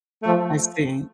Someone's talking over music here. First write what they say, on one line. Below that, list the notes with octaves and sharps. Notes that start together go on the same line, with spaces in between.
I see.
F3 A3